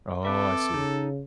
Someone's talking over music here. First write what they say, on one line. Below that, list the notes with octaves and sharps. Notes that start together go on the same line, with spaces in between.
Oh, I see.
C4 A4 B4 E5 D6
C#3 D#4